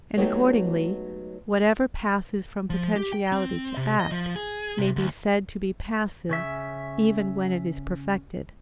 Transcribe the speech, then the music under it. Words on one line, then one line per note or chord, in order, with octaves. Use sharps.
And accordingly, whatever passes from potentiality to act, may be said to be passive, even when it is perfected.
F#3 G#3 A3 B3 D#4 G4
F3
G4
G5
C4
C3
D#5
F3
G#4
C3
D2
C#3 C#4 E5